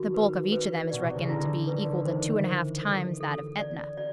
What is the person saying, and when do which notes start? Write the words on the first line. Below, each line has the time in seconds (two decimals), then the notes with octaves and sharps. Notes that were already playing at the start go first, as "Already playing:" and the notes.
The bulk of each of them is reckoned to be equal to two and a half times that of Etna.
Already playing: D#3 F#4
0.14 B4
0.52 B4
0.90 B2 D5
1.04 C3
1.16 C#3
1.29 D3 E4
1.67 D#3 B4
1.79 D3
1.91 D#3
2.05 E3 C5
2.44 C5
2.83 A4
3.21 A4
3.59 D5
3.97 D5